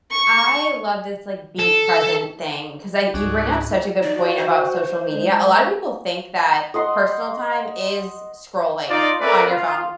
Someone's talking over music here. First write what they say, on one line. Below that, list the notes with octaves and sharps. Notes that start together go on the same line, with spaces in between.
I love this, like, be present thing 'cause I you bring up such a good point about social media. A lot of people think that personal time is scrolling on your phone
C#6
A4
C#2 G#2 G#3 C#4 F#4 D5
D#4 D5
F#4
C5
G#3
D#5 F#5 C6
D#4 F4 D5
A3 C4 C#4 A#4 B4 D5
F4